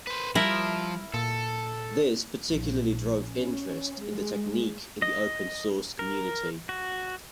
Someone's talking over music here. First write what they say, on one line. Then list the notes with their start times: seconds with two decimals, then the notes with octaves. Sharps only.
This particularly drove interest in the technique in the open source community.
0.07 B4 C5
0.35 F3 G3 E4 A#4 E5
1.14 A#2 A4
2.50 A#1
3.20 C#4
4.01 G#3
5.02 D#5
5.99 A#4
6.69 F#4